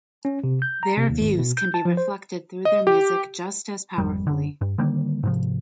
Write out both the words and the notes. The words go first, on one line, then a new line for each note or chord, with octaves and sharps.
Their views can be reflected through their music just as powerfully.
C#4
C3
G6
A#5
C3
D#2
G#1
B2
G6
A5
F3
C5
D#5
G4
G#1 F2 G3
F#1 D3
G2
D3 D#3 G3 A#3
G#2 C3 F3